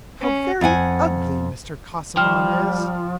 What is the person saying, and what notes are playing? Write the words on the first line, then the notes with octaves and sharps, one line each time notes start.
"How very ugly Mr. Casaubon is!"
C#4
F2 D#5 F#5 G#5
F3 G3 G5 F6